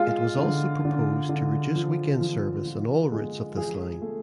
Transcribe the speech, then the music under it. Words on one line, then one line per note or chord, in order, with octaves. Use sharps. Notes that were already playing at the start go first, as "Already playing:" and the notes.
It was also proposed to reduce weekend service on all routes of this line.
Already playing: G#3 F4
D3
D3
D3
F3
F3
F3
G#3
F3 G#4
A3